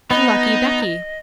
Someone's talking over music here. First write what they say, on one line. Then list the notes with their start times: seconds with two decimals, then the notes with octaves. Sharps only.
'Lucky Becky!
0.11 B3 D#4 D#5